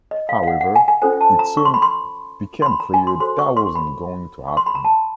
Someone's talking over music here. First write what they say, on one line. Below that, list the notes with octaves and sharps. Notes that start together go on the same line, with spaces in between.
However, it soon "became clear that wasn't going to happen".
D#5
F5
F5
F#5
F#5
G#5
G#5
C#4 F4 A4 C5 G#5
A5
A#5
C#6
C6
B5
C6
C6
B5
A#5
G#5
C6
F#4 A4 C5 C6
C#6
C6
C6
B5
C#6
C6
B5
A#5
A5